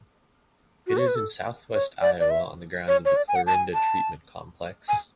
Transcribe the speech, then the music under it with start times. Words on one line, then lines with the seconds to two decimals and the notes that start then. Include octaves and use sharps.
It is in southwest Iowa on the grounds of the Clarinda Treatment Complex.
0.87 F#4
0.98 C#5
1.07 B4
1.16 A4
1.73 C#5
2.02 D5
2.20 D5
2.30 E5
2.88 C#5
3.05 C#5
3.16 D5
3.28 G#5
3.36 F#5
3.47 A5
3.54 G#5
3.74 A5
4.88 G#5